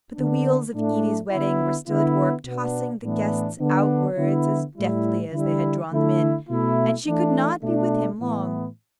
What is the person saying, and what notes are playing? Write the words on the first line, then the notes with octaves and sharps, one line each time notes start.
But the wheels of Evie's wedding were still at work, tossing the guests outwards as deftly as they had drawn them in, and she could not be with him long.
D3 B3 D4
A2 A3 D4
D3 B3 E4
D3 B3 E4
B2 B3 D4
A2 E3 B3 D4
D3 B3 D4
D3 B3 E4
A2 G3 E4
D3 G3 E4
D3 A3 E4
B2 A3 E4
E3 A3 D4
B2 A3 D4
A2 E3 B3